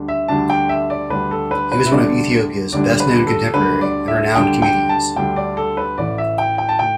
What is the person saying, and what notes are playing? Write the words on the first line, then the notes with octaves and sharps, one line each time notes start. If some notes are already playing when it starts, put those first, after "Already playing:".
He was one of Ethiopia's best known contemporary and renowned comedians.
Already playing: D2 D3 G3 D4
E5
D2 D3 G3 D4 A5
G5
E5
D5
D2 D3 G3 D4 B4
A4
B4
B4
E5
D2 D3 G3 D4 D5
D2 D3 G3 D4 D5
B4
A4
D2 D3 G3 D4 B4
D5
E5
D2 D3 G3 D4 G5
G5
A5
D2 D3 G3 D4 G5
D5
A4
B4
A1 A2 E3 D5
E5
G5
G5
A5
A2 G5